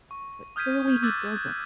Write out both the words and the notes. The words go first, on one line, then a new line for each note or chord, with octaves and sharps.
But clearly, he doesn't.
C#6
D#6 F6 G6 G#6 B6 D#7
D6 E6 F#6 G#6 A6